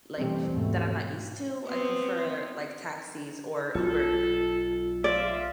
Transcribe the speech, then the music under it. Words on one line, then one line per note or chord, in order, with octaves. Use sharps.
like that I'm not used to, I prefer, like, taxis or Uber,
B2 E3 G3 A3 C4
D#2 G#2 B2 A3
B3 C4
B1 F4 A4
F4 D5 E5